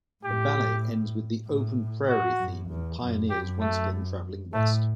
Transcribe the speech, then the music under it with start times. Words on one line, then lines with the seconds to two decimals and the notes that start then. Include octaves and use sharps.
The ballet ends with the 'open prairie' theme and pioneers once again travelling West.
0.24 A2 G4
1.46 A2
2.08 F#4
2.39 F#2
2.69 E2
3.01 F#2
3.30 F#2 G4
3.61 A3
4.53 A2 A3